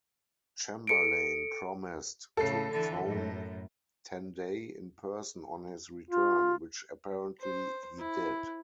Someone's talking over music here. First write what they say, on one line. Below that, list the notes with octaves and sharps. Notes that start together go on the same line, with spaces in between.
Chamberlain promised to phone Tandey in person on his return, which apparently he did.
A4 C#7 D7
A2 C#3 A4 C7
D3 E3
F#2 A2
F4
C5
E4